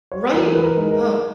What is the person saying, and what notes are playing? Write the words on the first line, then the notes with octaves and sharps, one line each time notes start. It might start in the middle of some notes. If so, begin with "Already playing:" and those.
Right. Ugh.
C#5
E3 A#4
B4
A#4
G#3 D#4
A#4